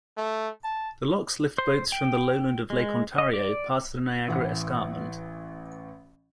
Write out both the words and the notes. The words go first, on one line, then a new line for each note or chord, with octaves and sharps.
The locks lift boats from the lowland of Lake Ontario past the Niagara Escarpment.
A3
A5
C5
G5
G#3
D#5
D5
A1 E3 F#5